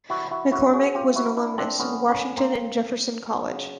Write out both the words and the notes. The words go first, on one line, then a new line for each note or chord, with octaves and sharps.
McCormick was an alumnus of Washington and Jefferson College.
C3 E3 G3 E4 F#4
E4 F#4
E4 F#4
F#4 G#4
F4 G4
E4 F#4
D4 E4
C4 D4
A2 E3 G3 B3 C#4
B3 C#4
A#3 C4
C#3 F#3